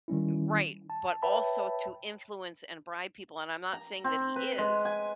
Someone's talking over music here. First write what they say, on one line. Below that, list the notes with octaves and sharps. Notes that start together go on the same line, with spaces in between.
Right, but also to influence and bribe people, and I'm not saying that he is,
D#3 G3 C#4 E4
A5
B4 C#5 E5 G5 A5 B5
A#5
C4
B4
G#3
G#5